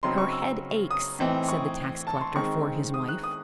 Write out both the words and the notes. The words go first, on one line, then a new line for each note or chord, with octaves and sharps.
"Her head aches," said the tax-collector for his wife.
C#3 F#3 C4 D#4 C6
C#6
E6
D#6
A2 E3 C4 D#4
C#6
A5
C#6
C6
D#3 G#3 C4 D#4 C#6
D#6
F#6
D#6